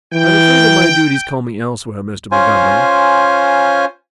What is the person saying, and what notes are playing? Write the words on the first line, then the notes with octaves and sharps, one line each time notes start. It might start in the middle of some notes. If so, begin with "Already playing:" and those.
"I am afraid that my duties call me elsewhere, Mr. Montgomery."
E3 G5
C#4 F4 C5 G#5